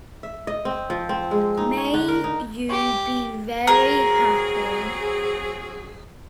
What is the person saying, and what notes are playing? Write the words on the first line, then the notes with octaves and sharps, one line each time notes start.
May you be very happy!
E5
D#5
C4
F3
C4
G#3
D#4
C#5
D3
A#4
D#4
G4
F#3 C4 G#4 A#4